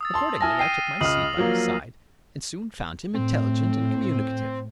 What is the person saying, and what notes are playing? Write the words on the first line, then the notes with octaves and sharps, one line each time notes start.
Accordingly I took my seat by his side, and soon found him intelligent and communicative.
D#6 E6 A6
A5 C6
E4 G#5 A5 D#6 F6 A#6
G5 C7 D#7
C#2 D#6 F6 C7 F#7
F3 F#3 A#3
A2 C4